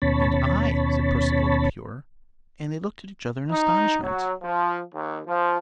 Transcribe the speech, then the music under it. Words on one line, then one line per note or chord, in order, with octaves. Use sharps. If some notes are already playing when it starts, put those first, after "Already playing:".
"And I," said Percival the Pure; and they looked at each other in astonishment.
D#2 B2 C#4 C#5 A5 B5
D#4
F#3
F3
D#2
F3